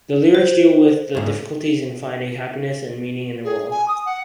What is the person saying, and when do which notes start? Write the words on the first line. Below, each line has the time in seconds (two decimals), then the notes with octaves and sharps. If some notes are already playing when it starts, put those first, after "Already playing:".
The lyrics deal with the difficulties in finding happiness and meaning in the world.
0.35 C5
1.15 D2 G#2
3.44 G#4
3.70 G#5
3.88 D#6
4.05 F#5